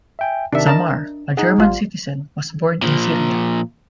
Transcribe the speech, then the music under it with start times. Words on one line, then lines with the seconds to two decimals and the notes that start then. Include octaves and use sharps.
Zammar, a German citizen, was born in Syria.
0.19 E5 G5 G#5
0.53 C3 D#3 D4 E5
0.66 D4 A#4 D#5 A5
1.37 D#4 G#4 F#5
1.58 G#1 G3 F4
2.82 A#2 F3